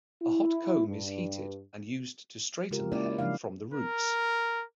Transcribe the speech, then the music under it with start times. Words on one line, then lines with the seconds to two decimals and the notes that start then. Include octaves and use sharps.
A hot comb is heated and used to straighten the hair from the roots.
0.22 E4
0.87 G2
2.71 C#3 G#3 F4 G4 A#4
2.92 G#3 A#3 C#4 E4 D5
3.18 C#3 F3 F#3 G#3 D4 F5
3.74 A#4